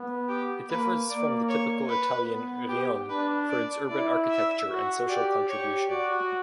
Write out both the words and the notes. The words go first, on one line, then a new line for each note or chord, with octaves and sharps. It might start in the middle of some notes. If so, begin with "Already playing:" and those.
It differs from the typical Italian "rione" for its urban architecture and social contribution.
Already playing: B3
G4
A#3 B4
A#3 D5
C#5
B4
B3
G4
D4 B4
D5
E4 D5
E5
F#4
G4 D5
G4 C#5
F#4 D5